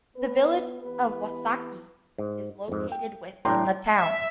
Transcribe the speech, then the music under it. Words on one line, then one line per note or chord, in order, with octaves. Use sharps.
The Village of Wausaukee is located within the town.
B3 B4
E3 B3 G4 B4
G#2
F2 G#2
G5
A2 E3 D4 G5 A#5 C6
E5